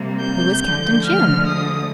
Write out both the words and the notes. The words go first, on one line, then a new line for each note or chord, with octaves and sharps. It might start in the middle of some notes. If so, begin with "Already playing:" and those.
"Who is Captain Jim?"
Already playing: C3 G3 A#3
G6
D2 D3 F3 G#3 G6
F6
D#6